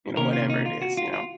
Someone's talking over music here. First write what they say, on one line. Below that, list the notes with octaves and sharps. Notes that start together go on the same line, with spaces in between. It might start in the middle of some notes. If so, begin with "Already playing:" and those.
you know, whatever it is, you know?
C3 D#3 A#3 C#4 A#4
F4
D#4
F4
F#4
F4
F4